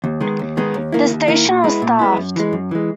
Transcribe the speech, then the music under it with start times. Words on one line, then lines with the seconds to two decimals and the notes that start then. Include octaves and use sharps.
The station was staffed.
0.04 D#2
0.21 D#3 G#3 B3
0.39 D#2
0.57 D#3 G#3 B3
0.74 D#2
0.92 D#3 A#3 E4
1.10 D#2
1.28 D#3 A#3 E4
1.46 A#2
1.64 G#3 B3 E4
1.82 A#2
1.99 G#3 B3 E4
2.17 F#2
2.36 E3 G#3
2.53 F#2
2.71 E3 G#3